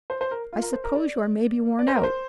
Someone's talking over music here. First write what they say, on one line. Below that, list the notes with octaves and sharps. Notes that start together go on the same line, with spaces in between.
I suppose you are maybe worn out.
C5
C5
A#4
F4
A#4
C5
A#4
D5
D5
C5
A#4
C5